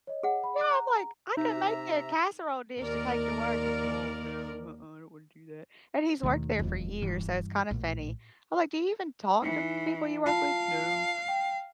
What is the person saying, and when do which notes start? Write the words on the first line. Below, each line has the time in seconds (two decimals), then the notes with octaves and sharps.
Yeah, I'm like, "I could make you a casserole dish to take to work." He's, "Mom, no, uh-uh, I don't wanna do that." And he's worked there for years, so it's kinda funny. I'm like, "Do you even talk to people you work with?" "No."
0.07 C#5 D#5
0.23 G#4 F#5
0.44 B5
0.59 D6 F#6
0.71 A#5
1.37 C3 D#4 E5 A#5
2.78 D#2 A#4 D5
6.23 D#2 B2 D#3 A3
6.59 E1 F2
7.02 G2 E3
7.71 A#1 A2
9.42 E3 D#4 C#7
10.26 F4 F5 A5
11.28 G5